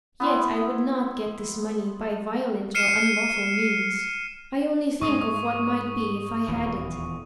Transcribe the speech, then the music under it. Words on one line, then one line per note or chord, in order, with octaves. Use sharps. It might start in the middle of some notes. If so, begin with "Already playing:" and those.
Yet I would not get this money by violent or unlawful means; I only think of what might be if I had it.
B3 E4 C6
F6 C7 C#7 D#7 E7
G#2 G#3 C#6 D#6
D#1 E2 E3